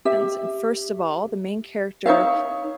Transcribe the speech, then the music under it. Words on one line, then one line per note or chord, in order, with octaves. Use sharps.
And first of all, the main character,
G4 E5
D#4 C#5 E5 F5